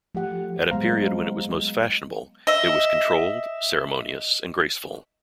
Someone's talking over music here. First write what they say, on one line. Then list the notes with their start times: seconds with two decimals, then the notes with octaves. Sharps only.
At the period when it was most fashionable it was controlled, ceremonious and graceful.
0.15 F3 A3 G4 F#5
0.71 F#3 G#3 B3 C5 F5 A#5
2.47 D#5 E5